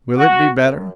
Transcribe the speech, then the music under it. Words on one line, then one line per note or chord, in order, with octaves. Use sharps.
"Will it be better?"
F#4
F#2